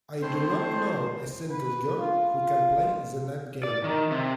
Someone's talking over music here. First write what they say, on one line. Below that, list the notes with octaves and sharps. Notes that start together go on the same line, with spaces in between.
I do not know a single girl who can play the net game.
A2 C4 C5
B4
F4
F4
D5
D#3
C3